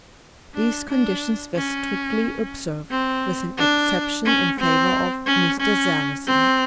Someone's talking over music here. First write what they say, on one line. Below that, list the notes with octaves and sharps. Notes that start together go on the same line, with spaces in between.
These conditions were strictly observed--with an exception in favor of Mr. Sarrazin.
D4
D4
C#4
C4
D4
C#4
C4
C#4
C#4
C4